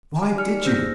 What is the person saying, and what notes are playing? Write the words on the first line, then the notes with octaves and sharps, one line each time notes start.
"Why did you?"
G#5
D#4 G4 D5 F6 C#7
A#3 G#4 C5 E6 G6 A#6